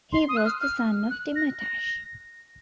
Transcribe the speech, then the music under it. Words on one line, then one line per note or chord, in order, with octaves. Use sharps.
He was the son of Timurtash.
C6
D#6
F#6
F6
F6
F#6
A#6
A#6